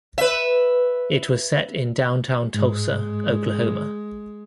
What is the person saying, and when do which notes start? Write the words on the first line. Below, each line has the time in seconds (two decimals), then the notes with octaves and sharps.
It was set in downtown Tulsa, Oklahoma.
0.18 B4 E5
2.54 G#2 G#3